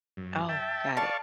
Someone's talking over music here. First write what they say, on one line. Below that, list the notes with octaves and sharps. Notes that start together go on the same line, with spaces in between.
Oh, got it,
F#2
E5 G5 A5
D5 F5 A5 C#6